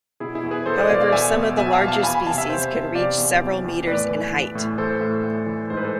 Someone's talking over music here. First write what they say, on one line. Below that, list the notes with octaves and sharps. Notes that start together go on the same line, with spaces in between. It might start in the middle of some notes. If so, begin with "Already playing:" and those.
However, some of the larger species can reach several metres in height.
B2 E4 G#4
E4 G#4
E2
G#4 B4
E2 A4 C5
B4 D5
B2 D5 F5
D5 F5
E2 E5 G#5
B2
B2 E5 G#5
F5 A5
E2
F5 A5
E2 G#5 B5
G#5 B5
C3 F5 A5
E5 G#5
C3 C5 E5
E2
C3 D5 F5
E2
E2
E2
A2 B4 D5
E3
E3
A2
E3 A4 C5
A2
A2
E3
G#2 C5
B4
A4 C5